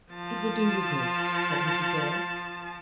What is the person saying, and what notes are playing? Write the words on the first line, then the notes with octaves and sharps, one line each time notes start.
"It would do you good," said Mrs. Dale.
F3 A5